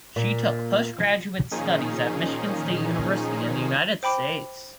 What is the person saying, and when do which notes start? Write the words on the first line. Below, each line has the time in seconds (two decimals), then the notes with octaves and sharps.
She took postgraduate studies at Michigan State University in the United States.
0.16 A#2
1.51 A#2 D#3 F3 C#4 D#4 G#4
4.03 C5 G5 B5 D6 D7